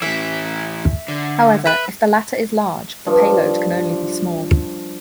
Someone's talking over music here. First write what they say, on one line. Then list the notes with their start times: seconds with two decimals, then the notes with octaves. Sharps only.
However, if the latter is large, the payload can only be small.
0.02 A2 E3 E5
1.08 D3
1.66 B4 E5
3.06 G2 F3